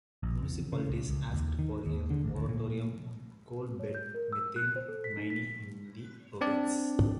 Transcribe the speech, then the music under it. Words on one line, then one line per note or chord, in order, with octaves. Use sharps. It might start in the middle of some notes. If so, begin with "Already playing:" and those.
Municipalities asked for a moratorium on coal-bed methane mining in the province.
A#1
E2
C#3
C#2
C#2
D#2
D#3
D#2
D3
A1
D2
A#2
C#5
G6
A#4
E6
F#6
C5
A4
B6
D#4
B6
C4 D4 D5